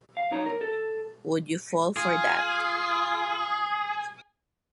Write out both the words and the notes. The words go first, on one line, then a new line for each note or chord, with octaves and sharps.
Would You Fall for That?
F5
B1 D#4 C#5 A#5
A#4
A4
F4 G#4